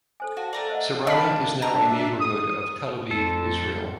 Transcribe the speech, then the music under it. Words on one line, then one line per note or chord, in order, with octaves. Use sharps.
Sarona is now a neighborhood of Tel Aviv, Israel.
A4 C5 G#5
F#4 F5 A5
A3 A#4 D5
C5 D#5 F#5
D4 D#5 F5 B5
D4 E5 A5 A#5
D#6
F2 A4